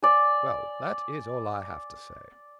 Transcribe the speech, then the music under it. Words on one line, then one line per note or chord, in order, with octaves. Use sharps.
Well, that is all I have to say.
D5 G#5